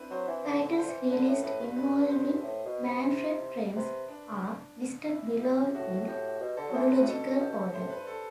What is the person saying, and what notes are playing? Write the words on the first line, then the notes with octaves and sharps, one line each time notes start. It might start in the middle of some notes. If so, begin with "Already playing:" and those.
Titles released involving Manfred Trenz are listed below in chronological order.
Already playing: C4 D4 E4 B4
F#3 C5
E3
D3
D3
C5
E3
D3 B4
A2
A2 B4
G2 B4
G2 B4
C5
G2
A2
B2
C3
C3 B4
D4
E4
G4
A2 F#4
A2 G4
B2
D3 A4
F#3
E3 C5
C3 B4
A2
B2 A4
G4
A2 C5
B4
G2
A4